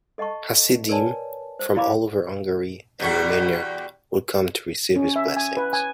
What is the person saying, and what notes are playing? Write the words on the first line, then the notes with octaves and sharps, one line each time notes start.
Hasidim from all over Hungary and Romania would come to receive his blessings.
A4 D#5 F#5 A5 C#6
A#4 B4 C#5 D5 G#5 A5
C5
E4 D5 F5 A#5 B5 D6
E2 G3 F#4
C#4
E5
G#5
B4
G#5